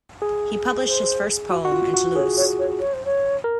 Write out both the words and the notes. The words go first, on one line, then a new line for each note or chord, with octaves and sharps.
He published his first poem in Toulouse.
G#4
C5
F#4
F#4
F4
F#4
G#4 C#5
C#5
C#5
C#5
C5
C#5
A#4